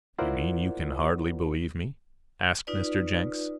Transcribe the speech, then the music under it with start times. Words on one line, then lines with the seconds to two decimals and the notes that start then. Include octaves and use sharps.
"You mean you can hardly believe me?" asked Mr. Jenks.
0.18 E4 F4 A#4 C5 D5 F#5
2.67 D#4 F4 B4 D5